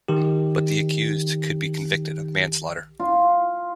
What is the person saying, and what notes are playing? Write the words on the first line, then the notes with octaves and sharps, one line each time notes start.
But the accused could be convicted of manslaughter.
D#3 G4
F4